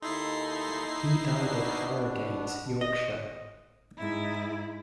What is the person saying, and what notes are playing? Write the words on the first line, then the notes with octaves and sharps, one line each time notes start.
He died at Harrogate, Yorkshire.
D#2 D#4 E4 A4 C6 C7
B2 B3 D4
D#5
G#2 E4